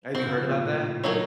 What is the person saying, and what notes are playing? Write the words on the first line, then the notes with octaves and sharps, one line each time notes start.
have you heard about that?
D#3 C4 F#4 C5
C#3
F3
A#2
A2
F#3 A#3 D#4 A4 C#5